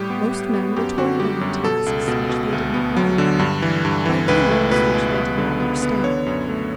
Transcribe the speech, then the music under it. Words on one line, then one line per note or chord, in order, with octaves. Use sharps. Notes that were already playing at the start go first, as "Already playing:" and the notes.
Most men were toiling at tasks which they did not like, by rules which they did not understand.
Already playing: A2 G3 G4
B3
B3
B3
F#2 G4
D3 F#4
G3 G4
F#2
B2 A4
C#2
B2
B2
D2
B3
F#3
D3
G2
E3
G2
E3
C#2 B4
A3
B2 B4
C#2
B3
D3
B3
B3
D3 C#5
F#2
A3